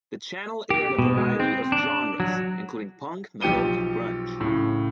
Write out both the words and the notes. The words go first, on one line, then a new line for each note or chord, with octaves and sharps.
The channel aired a variety of genres, including punk, metal, and grunge.
G4
B2
G#3
C4
D4
F#3
B1 F3 G4 C#7 D#7 G7
A2 C#3